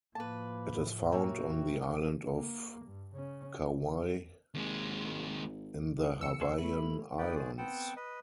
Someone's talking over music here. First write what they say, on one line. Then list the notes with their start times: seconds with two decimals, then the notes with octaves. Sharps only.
It is found on the island of Kauai in the Hawaiian Islands.
0.15 A2 F3 A#3 B4 A5
1.12 A#3 F#4 C#5 E5 G5
2.34 A#3
2.85 G2
3.14 C#3 C#4
4.55 G#1 D#2 G#3
6.20 E2 E6 C#7
6.41 A#3 C#4 C5
6.58 A3 E4 B5
7.18 A#3 D#4 B4 D5 G5
7.35 F#4 G#4 C5 D5
7.58 B3 C4 F#5 G5 A5
7.96 B4 D#5